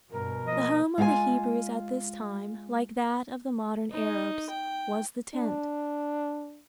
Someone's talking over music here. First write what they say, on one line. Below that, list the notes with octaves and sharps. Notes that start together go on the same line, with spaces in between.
The home of the Hebrews at this time, like that of the modern Arabs, was the tent.
G2 B2 A#4
F3 A#3 D#5
G#3 F4 F5 G5 G#5
D#4
G5
D4